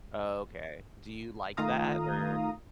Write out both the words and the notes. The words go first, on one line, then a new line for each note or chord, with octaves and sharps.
Oh, okay. Do you like that? Or
D#3 A3 F4 F5 A#5 D#6